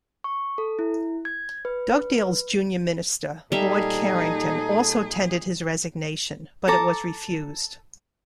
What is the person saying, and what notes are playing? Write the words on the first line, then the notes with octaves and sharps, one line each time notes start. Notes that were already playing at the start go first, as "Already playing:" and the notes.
Dugdale's junior minister, Lord Carrington, also tendered his resignation, but it was refused.
C#6
A4
E4
G#6
B4
A#2 G3 D#4 G#4 A4 E5
A4 A5 A#5 D6